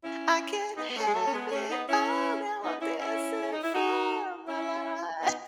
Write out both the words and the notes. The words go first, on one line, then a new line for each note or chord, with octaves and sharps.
I can't have it all, now I'm dancing for my life."
C#4 E4
B3 D#4
B3
A3 C#4
G#3
F#3 A3
C#4
G#3 B3
A3 C#4
B3 D#4
C#4 E4
B3 D#4
C#4 E4
C#4 E4
C#4
D#4
E4
D#4 F#4
C#4 E4
B3 D#4